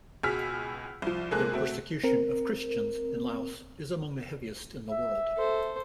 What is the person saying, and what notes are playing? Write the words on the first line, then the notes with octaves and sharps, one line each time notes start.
Their persecution of Christians in Laos is among the heaviest in the world.
C#2 B2 G#4 E6 F6 B6
C2 F3
C3 G#3 A#3 G#4 A4 F#6
B2 A3 C4
C4 A#4
E5
A4 C5